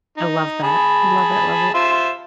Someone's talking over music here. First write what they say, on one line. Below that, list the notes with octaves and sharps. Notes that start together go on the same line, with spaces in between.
I love that, love it, love it.
D#4
G#4 A5 B5
F4 C5 E5